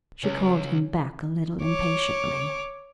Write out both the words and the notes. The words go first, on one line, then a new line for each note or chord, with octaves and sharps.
She called him back a little impatiently.
C#2 C#4
C#5 D6